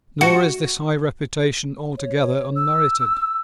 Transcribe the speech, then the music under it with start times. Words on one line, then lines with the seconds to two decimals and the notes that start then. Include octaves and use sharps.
Nor is this high reputation altogether unmerited.
0.21 F#4
1.97 C#5
2.16 C#5
2.56 E6